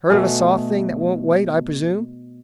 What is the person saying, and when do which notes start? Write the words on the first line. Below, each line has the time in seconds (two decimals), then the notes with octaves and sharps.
Heard of a soft thing that won't wait, I presume?
0.10 B2 A3 G#4